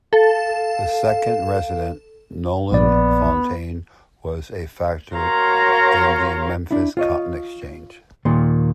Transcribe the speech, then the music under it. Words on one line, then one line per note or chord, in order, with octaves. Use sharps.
The second resident, Noland Fontaine, was a factor in the Memphis Cotton Exchange.
A4 F5
A#1 B3 D5
F#4 A#4 C#5 F5 A#5 C6
D4 E4
F4 C#5 D#5
D#2 A#2 D#3 C6